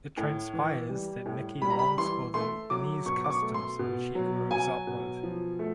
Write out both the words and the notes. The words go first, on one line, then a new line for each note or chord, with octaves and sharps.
It transpires that Niki longs for the Viennese customs which he grows up with.
A2
E3
G3
A2
G3 B5
A#5
B5
E3 C6
A3 C6
F#3 D6
B2 C#6
D6
C#6
A3
C6
B2
F#3
F#3 G#5
B2
F3
A3